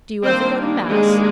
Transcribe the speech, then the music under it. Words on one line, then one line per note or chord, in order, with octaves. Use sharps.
"Do you ever go to mass?"
D#3 G3 A#3 C4 D4 C5
G#3 G#4